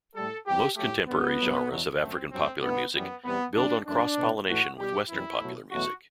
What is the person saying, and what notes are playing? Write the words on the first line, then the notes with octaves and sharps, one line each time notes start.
Most contemporary genres of African popular music build on cross-pollination with western popular music.
A2 G3 A4
E2 C3 G3 G4
A2 F#3 A3 G4
G2 D3 G3 B3
G2 F#3 A3
E2 B2 F#3
F#2 D3 A3 C4
G2 F#3 A3 C4
G2 D3 A3 B3
F#2 E3 G3 B3
E2 C3 G3 B3
F#2 D3 G3 D4
F#2 E3 A3 D4
B2 A3
A2 E3 A3 F#4
B2 G3 G4
F#2 E3 G3 E4
B2 F#3 A3
E2 B2 F#3 A3 F#4